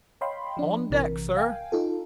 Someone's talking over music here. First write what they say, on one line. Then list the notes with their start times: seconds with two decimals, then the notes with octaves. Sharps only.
"On deck, sir."
0.21 C#5 D#5 F5 G5 B5 C6
0.57 F3 D4
0.90 A#1 C3 E3 A#4
1.37 F5 G5 G#5
1.72 D#4 F4 A4